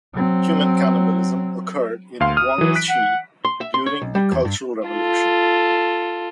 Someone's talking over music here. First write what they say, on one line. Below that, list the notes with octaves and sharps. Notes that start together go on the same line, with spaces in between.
Human cannibalism occurred in Guangxi during the Cultural Revolution.
F#3 C4
D2 F5 C6
D#6 F6
E3 F#3
F#6 B6 D7
F#5
C6
E5
C6
C#5
B1
G3
E2
G2
F4 A4